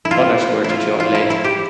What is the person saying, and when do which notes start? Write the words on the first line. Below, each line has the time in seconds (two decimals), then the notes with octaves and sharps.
Others were to join later.
0.05 E4
0.11 F4
0.64 E4
0.70 F4
1.00 F4
1.15 E4
1.30 E4
1.44 G4